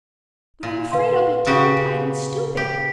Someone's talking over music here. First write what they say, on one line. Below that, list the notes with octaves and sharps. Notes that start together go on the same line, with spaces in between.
But I'm afraid I'll be tongue-tied and stupid.
A#2
B4 F5 C6
C#3 F#4 G4
G4